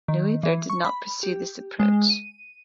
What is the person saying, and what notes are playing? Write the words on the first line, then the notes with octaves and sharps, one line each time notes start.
Noether did not pursue this approach.
D#3
E3
C#6
B5
G4
G#3
D#7